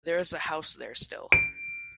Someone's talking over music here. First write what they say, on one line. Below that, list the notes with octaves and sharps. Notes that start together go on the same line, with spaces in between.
There is a house there still.
D7